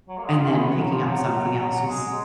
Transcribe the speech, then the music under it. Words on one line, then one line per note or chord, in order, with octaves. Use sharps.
and then picking up something else, was,
F#3
A#3
G#3
F4
C#4
B3
F#3
F3
F#3
F#3
G#3